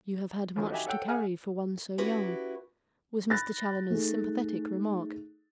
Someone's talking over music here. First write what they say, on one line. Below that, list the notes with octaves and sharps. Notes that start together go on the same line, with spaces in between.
"You have had much to carry for one so young," was Mr. Challoner's sympathetic remark.
D#2 D3 E3 F3
D#4 F#4 G4 E5 G#5
A4 C#5 F#5 G5 E6
G#4 E5 F#5 G#5 F6
C#4 E4 F#4 G4 B4
B5 F#6 A6 A#6
A3 D#4 G#4